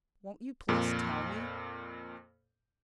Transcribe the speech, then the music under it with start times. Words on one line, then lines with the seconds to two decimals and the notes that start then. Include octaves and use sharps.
"Won't you please tell me?"
0.68 F2 A#2